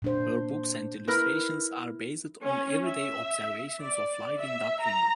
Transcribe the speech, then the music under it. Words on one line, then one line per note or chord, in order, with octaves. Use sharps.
Her books and illustrations are based on everyday observations of life in Dublin.
A#2 D4 C5
E4 A#4 B4
C#4
E5
D5
E5
A#5